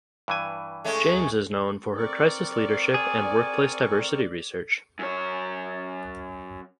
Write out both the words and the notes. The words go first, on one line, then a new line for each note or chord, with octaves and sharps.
James is known for her crisis leadership and workplace diversity research.
G2 E3 G#5
G#3 A3 C#4
C4 A#4 D5 C#6
G#4
F#2 C#5